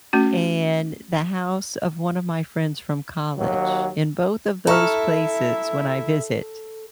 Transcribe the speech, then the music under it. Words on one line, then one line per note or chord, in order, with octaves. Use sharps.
and the house of one of my friends from college. In both of those places when I visit,
A3 C#4 F#4
D#2 F#3
E4 A4 E5 A#5 C#6 F6